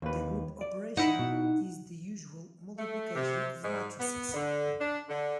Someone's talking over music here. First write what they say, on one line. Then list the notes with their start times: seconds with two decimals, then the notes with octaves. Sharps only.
The group operation is the usual multiplication of matrices.
0.02 D#2 B4
0.61 D5
0.97 D#4 E4 F#5
1.19 B2
2.77 A3
3.15 C3
3.63 G#2
3.98 B3
4.34 D3
4.79 D4
5.08 D3